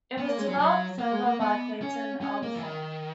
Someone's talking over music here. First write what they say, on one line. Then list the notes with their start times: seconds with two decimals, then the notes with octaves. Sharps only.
It was developed further by Clayton Alderfer.
0.18 B3
0.28 A#3
0.38 G#3
0.47 F#3
0.58 F#3
0.99 A#3
1.12 G#3
1.24 A#3
1.40 B3
1.82 C#4
2.21 C#4
2.43 A#3
2.55 E3
2.63 D#3